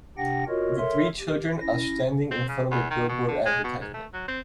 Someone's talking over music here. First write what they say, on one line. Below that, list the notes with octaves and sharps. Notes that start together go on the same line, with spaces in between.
Three children are standing in front of a billboard advertisement.
C3 D4 G4 F#5 G5 A#6
F4 F#4 A#4 C#5 D#5
A4 A#4 C#5 E5 C6
G4
C#4 E4 A#6
C4
C#3
E2
D#3
B2
D3
G#3
B2
G#2
A3
F#3
C4